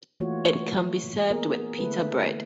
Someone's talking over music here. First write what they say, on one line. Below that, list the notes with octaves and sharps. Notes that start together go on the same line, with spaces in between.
It can be served with pita bread.
E3 A3 A#3 F4 F#4 C#5
A#3 B3 G#4 A#4
D3 G#3 A3 E4 A4 B4